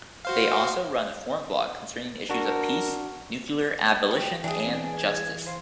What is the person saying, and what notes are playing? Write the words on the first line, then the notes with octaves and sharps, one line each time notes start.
They also run a forum blog concerning issues of peace, nuclear abolition, and justice.
F#4 C5 F5
D4 F#4 A#4
F#4 G5
E3 D4 G#4
C4
G#6
C5 F5